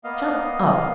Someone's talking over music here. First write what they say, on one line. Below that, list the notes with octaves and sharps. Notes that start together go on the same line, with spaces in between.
"Shut up!"
A#3 B3 D#5 F5